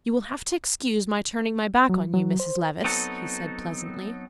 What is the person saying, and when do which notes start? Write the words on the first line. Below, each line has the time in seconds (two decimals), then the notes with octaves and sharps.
"You will have to excuse my turning my back on you, Mrs. Levice," he said pleasantly.
1.89 F#3
2.14 F#3
2.40 C5
2.84 F#3 B3 C4 D#4 A4